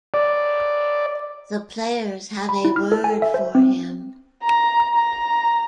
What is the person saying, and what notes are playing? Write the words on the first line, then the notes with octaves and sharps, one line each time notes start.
The players have a word for him.
D5
B5
E4
F6
A4
G#5
E5
C5
C4
A#5
A#5